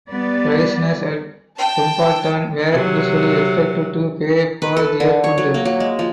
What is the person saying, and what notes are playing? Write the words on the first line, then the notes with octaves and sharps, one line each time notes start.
Prisoners at Dumbarton were usually expected to pay for their food.
G3 B3 B4 D5
G5 A5
C3 F#3
B4
A4
D3
C#5
F#3
A#3
F#3
G#3
F3